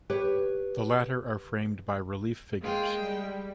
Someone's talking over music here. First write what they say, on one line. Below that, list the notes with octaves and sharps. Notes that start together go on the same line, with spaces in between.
The latter are framed by relief figures.
G4 B4 C#5
G#3 A#3 F4 G#4 G5
G3